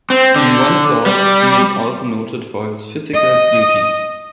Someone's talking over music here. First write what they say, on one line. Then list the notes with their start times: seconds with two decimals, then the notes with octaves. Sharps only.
In one source, he is also noted for his physical beauty.
0.10 C4
0.36 D3
1.06 G3
3.13 D#5